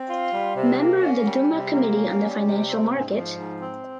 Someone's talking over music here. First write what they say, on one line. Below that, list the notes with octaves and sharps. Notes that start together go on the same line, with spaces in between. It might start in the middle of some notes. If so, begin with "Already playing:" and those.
Member of the Duma Committee on the Financial Market.
Already playing: C4
F4
G3
C3
A#3
C#4
G3
C3
A#3
C#4
G3
C3
C4
G#2
F3
G#2
C4